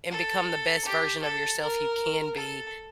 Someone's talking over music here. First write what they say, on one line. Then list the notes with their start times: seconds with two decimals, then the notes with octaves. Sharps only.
and become the best version of yourself you can be
0.10 A4
0.86 G4
1.23 A4
1.61 A#4
2.35 A4